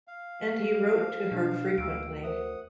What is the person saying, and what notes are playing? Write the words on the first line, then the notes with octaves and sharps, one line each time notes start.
And he wrote to her frequently.
F5
F3
B2 D4
D2 E6 D7
A#4 C5 E5 F#5 D#6